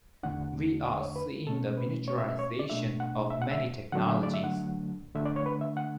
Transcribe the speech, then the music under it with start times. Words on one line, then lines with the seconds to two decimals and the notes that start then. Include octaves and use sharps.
We are seeing the miniaturization of many technologies.
0.23 E2 D3 A3 D4 F#5
0.85 D5
1.01 C#5
1.16 B4
1.47 B2 A3 C#4 A4
1.77 B4
2.08 C#5
2.18 E5
2.29 E5
2.39 C#5
2.59 D5
2.69 B2 A3 D4 E5
3.00 F#5
3.30 E5
3.42 F#5
3.51 E5
3.92 D3 F#3 A3 D4 F#5
4.08 E5
4.23 D5
4.34 E5
4.44 F#5
5.15 D3 A3 D4 E5
5.26 D5
5.36 C#5
5.46 B4
5.61 E5
5.77 F#5